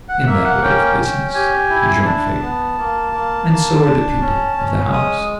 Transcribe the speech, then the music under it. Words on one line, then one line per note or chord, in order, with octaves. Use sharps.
'In that way of business,' rejoined Fagin; 'and so are the people of the house.
F#5
A#3 E5
F#5
C#4 G5
C#4
G4 G#5
E4
D4 A5
B3
A#3
A#3
A#3
D4
C#4
C#4
G#3 D#6